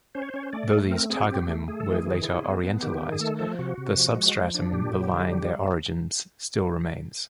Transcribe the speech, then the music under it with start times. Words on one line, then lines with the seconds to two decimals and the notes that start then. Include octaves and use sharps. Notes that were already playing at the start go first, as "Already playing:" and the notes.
Though these "targumim" were later "orientalised", the substratum belying their origins still remains.
0.15 C#4 C5
0.22 C#5
0.29 C5
0.34 C#4 C#5
0.43 C5
0.53 A3 D5
0.72 A3
0.91 C4 A#4
1.10 C4 G#4
1.22 F#4
1.29 C4 G4
1.48 A3
1.68 A3 G#4
1.80 A4
1.87 E3
1.92 G#4
2.06 D#3
2.24 E4
2.44 B3
2.64 B3
2.82 D#3 G4
3.02 D#3
3.12 G#4
3.20 A3 A4
3.39 F3 A4
3.59 C3 F#4
3.78 C3
3.97 F3
4.16 G#3
4.35 F3
4.54 D4
4.73 A#2 G4
4.93 F#3
5.12 D3
5.30 G3